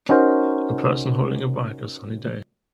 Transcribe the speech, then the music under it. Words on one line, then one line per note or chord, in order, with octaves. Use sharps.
A person holding a bike a sunny day.
C#4 D#4 F#4 A#4 C5